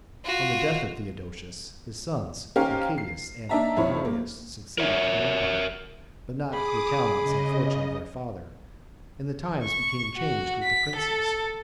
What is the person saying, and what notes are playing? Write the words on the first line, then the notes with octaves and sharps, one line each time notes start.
On the death of Theodosius, his sons Arcadius and Honorius, succeeded to the empire, but not to the talents and fortune of their father; and the times became changed with the princes.
F4 F#4
C#4 D#4 G4 A#4 C5 F5
C7
A#3 D4 D#4 E5 A5 A#5
G#1 F2 E4 C#5 B5
A#3
A#4 C#5 E5
G#4 B5 D6 D#6
C#3 D#5
C#6
F#4
B6
A4